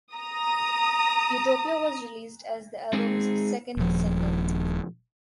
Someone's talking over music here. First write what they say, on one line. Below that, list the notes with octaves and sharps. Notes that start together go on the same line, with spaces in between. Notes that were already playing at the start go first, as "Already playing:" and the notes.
"Utopia" was released as the album's second single.
A#5 D#6
G#3 C4 D#4 G#4
D#1 F3